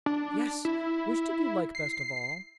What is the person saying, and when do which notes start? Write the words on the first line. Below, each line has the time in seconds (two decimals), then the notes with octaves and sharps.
"Yes! which did you like best of all?"
0.06 D4
0.65 E4
1.75 C7